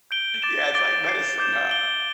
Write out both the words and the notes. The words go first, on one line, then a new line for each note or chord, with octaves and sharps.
Yeah, it's like medicine, huh?
G6 D7 G7
D6 A6 E7 G7
D6 A6 D7 G7
D6 A6 C7
D6 G6 E7
G6 D7 G7